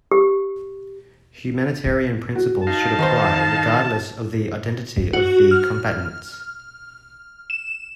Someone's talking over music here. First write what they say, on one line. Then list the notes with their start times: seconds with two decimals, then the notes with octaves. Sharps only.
Humanitarian principles should apply regardless of the identity of the combatants.
0.11 G4
2.35 F#4
2.67 D#4 F5 A5
2.99 D#3 B4 C5
5.13 F#4
5.51 F6
7.50 E7